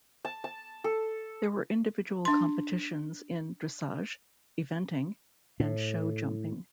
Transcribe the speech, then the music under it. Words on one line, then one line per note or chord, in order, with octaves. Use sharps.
There were individual competitions in dressage, eventing, and show jumping.
A5
A5
A4
D4 C6
A2